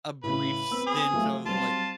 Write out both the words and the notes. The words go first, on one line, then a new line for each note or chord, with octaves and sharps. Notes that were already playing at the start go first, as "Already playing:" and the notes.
a brief stint of, like,
A2 C#3 B4
B3 C4 E6
G#4
F3 F#3 A3
F#3 G3 C4 F4 A5